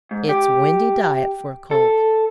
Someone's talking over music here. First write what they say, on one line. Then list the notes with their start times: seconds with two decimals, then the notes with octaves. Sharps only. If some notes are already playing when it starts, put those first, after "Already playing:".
It's windy diet for a colt.'
0.11 G#2
0.29 G4
1.71 A4